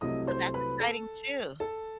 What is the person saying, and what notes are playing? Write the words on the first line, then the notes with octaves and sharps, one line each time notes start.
So, that's exciting too.
C2 C3 F#3 A3 E4 D#5 D#6
C5 C6
B4 B5
A4 A5
A4 A5